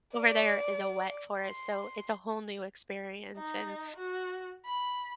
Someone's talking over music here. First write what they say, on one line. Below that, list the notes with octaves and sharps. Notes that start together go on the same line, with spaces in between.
over there is a wet forest, so it's a whole new experience and
D5
C6
D#4
F#4
B5